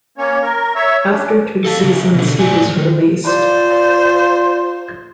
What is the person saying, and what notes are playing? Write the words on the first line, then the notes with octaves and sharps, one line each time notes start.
After two seasons he was released.
A#3 C#4 C#5
A#4
C#5 E5
C#4 D4
A4 F5 A5
C#3 F#3
B2 D3
E2 A2 C#3 D5 G#5
D#3
F4 C5 D5